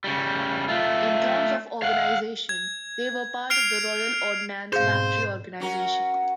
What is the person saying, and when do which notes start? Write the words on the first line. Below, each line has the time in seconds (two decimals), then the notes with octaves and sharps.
In terms of organisation, they were part of the Royal Ordnance Factory organisation.
0.04 C#3 G3
0.68 A3 F4
1.82 F5 F#5
2.49 G#6
3.50 F6 C7 D7 F7
4.73 G#2 B2 C4 G#4 C5 F5 G6
5.60 C#4 F#4 A#4